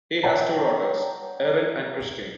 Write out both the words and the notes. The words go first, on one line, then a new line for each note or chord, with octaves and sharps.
He has two daughters, Erin and Christine.
C#5 D5 F#5 G5 A5 A#5